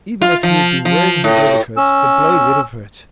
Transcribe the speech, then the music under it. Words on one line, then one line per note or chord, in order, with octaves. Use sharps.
Even if he had been wearing his overcoat, the blow would have hurt.
F4
F3
F3
A2
C#4 E6